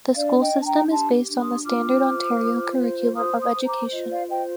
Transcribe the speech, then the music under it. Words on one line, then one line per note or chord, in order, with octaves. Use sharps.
The school system is based on the standard Ontario curriculum of education.
D4 D5 F5
D#5 G5
D4
A5
G5 A#5
G4 A5 C6
D4
C6 D#6
F4 D6 F6
C5
F4
C5
C5 C6 D#6
C6 D#6
C5
A#5 D6
F4 D#5
D5 F5
C5 D#5 G5